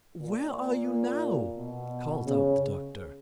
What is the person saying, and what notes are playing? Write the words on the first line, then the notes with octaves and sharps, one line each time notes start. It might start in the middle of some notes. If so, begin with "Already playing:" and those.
"Where are you now?" called out the doctor.
A#2
B2
C#3